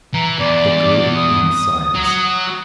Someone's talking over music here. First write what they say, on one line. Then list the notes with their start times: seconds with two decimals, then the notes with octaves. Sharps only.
Degree in Science.
0.14 E3 A#5
0.39 E2 D5
1.16 D#6
1.95 F#3